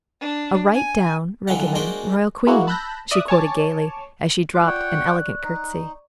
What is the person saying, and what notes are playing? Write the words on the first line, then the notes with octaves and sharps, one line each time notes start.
"A right down, regular, Royal Queen," she quoted gaily as she dropped an elegant curtsey.
D4
G#5
B1 D3 E3 G3 F5 F#5
G#3 A#3 D4 F#4 C5
G#3 A#3 E4 F#4
A5 B5 E6 F#6 G6 A#6
D5 E5 D#6 F#6 A#6
C#5 G#5 A5 D6
G#3 F4 C5 D6 F#6
C#5 D5 F#5 G5 C#6
D#4